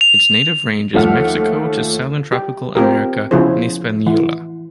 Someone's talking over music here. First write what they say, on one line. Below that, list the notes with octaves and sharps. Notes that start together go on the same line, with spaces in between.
Its native range is Mexico to southern Tropical America and Hispaniola.
F7
D#2 F3 A3 F#5 F6
G4
C4 F4 G4 A#4
C#3 F3 B3 E4 G#4 C5
E3